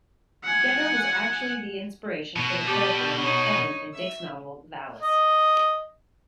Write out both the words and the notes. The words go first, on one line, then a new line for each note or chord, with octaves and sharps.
Jeter was actually the inspiration for the character named "Kevin" in Dick's novel, "Valis".
F#5 G#5
B2
G4 A4 D5
D#4 C#5
E5 E6
D#5